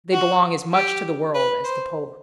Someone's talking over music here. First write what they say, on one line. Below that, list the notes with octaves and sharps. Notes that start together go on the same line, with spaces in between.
They belong as much to the world as to Poland.
F#4
G4
B4
C5